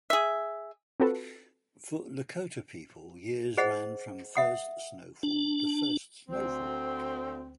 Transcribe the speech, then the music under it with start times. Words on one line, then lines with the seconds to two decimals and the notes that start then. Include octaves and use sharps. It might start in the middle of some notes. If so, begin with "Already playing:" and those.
For Lakota people, years ran from first snow fall to first snowfall.
0.10 G#4 E5
1.00 C4 F4 F#4 A4 B4
3.57 G#4 C5 D#5 F#5
4.35 E5 F#5 D#6
5.23 D4
6.28 D2 C4